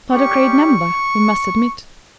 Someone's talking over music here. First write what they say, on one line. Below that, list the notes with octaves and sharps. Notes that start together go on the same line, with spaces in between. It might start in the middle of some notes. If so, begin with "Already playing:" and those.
Not a great number, we must admit.
G3 C#4 G4 C#6